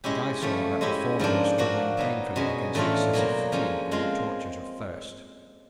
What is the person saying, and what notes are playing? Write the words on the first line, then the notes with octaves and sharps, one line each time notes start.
But I saw that the former was struggling painfully against excessive fatigue and the tortures of thirst.
G#3 C#4 E4 G4
F3 A3 C#4
G#3 C#4 E4 G4
G#2 F3 A#3 D4
F3 A#3 D4 F#4
F#3 B3 D#4
B2 G#3 C#4
A2 E3 A3 D4 F4
B2 F#3 A#3
F3 G#3 C#4
F3 G#3 C4 F4